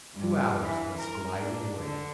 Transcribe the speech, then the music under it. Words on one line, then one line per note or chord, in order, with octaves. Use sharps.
Two hours thus glided away.
G2
E3
A#4
D4
D3